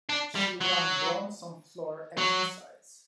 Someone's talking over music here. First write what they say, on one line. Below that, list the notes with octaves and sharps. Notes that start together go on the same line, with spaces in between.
She won bronze on floor exercise.
D4
G3
F#3
F#3